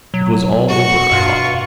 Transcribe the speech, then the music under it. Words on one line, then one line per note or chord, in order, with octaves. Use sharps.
It was all over, I thought.
B2 F#3
F#4 C#6
G2 B2 F4